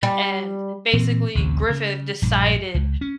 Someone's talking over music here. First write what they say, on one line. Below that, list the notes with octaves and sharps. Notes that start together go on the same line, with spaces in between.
and basically Griffith decided,
G3
A#2 E3 C4
A1 D2 C3
C#3
A#1 G2
C#2
C#4